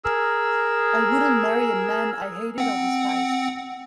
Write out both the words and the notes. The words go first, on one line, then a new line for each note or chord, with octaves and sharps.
I wouldn't marry a man I hated or despised.
G#4 A#4 E6
C4 F#5